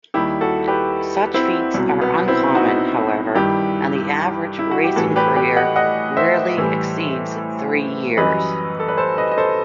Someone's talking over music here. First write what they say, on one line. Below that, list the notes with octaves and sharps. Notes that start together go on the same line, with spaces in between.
Such feats are uncommon, however, and the average racing career rarely exceeds three years.
D#2 D#3 G3 E4 G4
F#4 A4
G4 B4
C4 E4
C2 B2 F#3
B3
C4 E4
D#4 F#4
G2 D#3 G3 E4 G4
E4
F#4
G4
A2 E3 G3 F#4 A4
G4 B4
G4 B4
D#5 F#5
D#5 F#5
C5 E5
A2 E3 G3
F#2 E3 G3 B4 D#5
A4
B4
A4 C5
B4 D#5
D#5
A4 C5